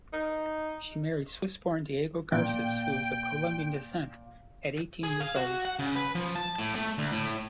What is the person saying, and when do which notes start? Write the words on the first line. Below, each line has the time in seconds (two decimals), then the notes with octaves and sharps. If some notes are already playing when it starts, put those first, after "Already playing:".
She married Swiss-born Diego Garces, who is of Colombian descent, at eighteen years old.
0.13 D#4
2.32 A#2 G5
5.03 G#4
5.20 F5
5.36 F#4
5.65 F#5
5.79 C#3
5.95 B4
6.15 F3
6.35 A5
6.58 A2
6.76 A3
6.98 D2
7.12 A2